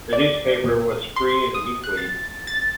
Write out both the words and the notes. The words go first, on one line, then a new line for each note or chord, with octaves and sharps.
The newspaper was free and weekly.
D5
A#2
C6
D#6
F#6
A6
A6